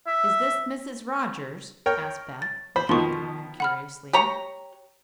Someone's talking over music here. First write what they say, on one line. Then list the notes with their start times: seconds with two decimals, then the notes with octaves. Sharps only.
"Is this Mrs. Rogers?" asked Beth, looking at the woman curiously.
0.07 E5
1.86 A#4 C#5 G5
2.42 A6
2.76 C5 B5
2.89 B2 D#3 F3 C6 C#6
3.60 F#5 B5 F6
4.13 G4 C#5 A#5